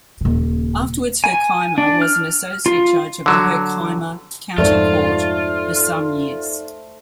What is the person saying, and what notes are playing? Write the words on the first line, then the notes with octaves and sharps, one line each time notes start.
Afterwards Herkimer was an associate judge of the Herkimer County Court for some years.
D#1 C#3
G#5
D4
F6
F4
D3 F#3
F2 G#2 A3 D#4 F4 C5 D5